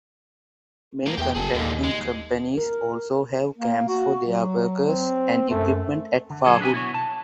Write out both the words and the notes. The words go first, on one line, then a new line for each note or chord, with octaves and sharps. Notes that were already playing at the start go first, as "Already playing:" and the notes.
Many contracting companies also have camps for their workers and equipment at Fahud.
A2 A#3
E2 G4 G5
F#1 G#4 A4
D#2 A#2 D3
G#3
A#4
A#3
F#4
F#3
C4
F#2 A3
D3
F#3 G#4 A4 C#5 D#5
D4 B4 E5 G#5
B2 E4 F#4 C#5
A5